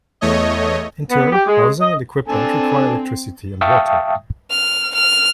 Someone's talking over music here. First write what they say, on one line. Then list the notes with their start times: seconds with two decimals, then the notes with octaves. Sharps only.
In turn, housing and equipment require electricity and water.
0.21 E2 A3 C#5 D#5
1.11 B3
1.32 G4
1.47 G#3
1.80 D#5
2.28 C4 D4 A4 G#5
3.61 E5 F5 G5 A5 C#6 D#6
4.50 F6
4.94 F6